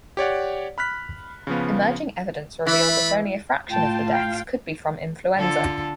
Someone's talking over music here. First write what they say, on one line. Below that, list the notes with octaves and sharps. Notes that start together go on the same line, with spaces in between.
Emerging evidence revealed that only a fraction of the deaths could be from influenza.
G4 C#5 D5 F#5
B5 F6 F#6 B6
C#3 F3 B3
E3 A3 B5
A2 F4 G5 A5
F5 G5
D3 F4 A4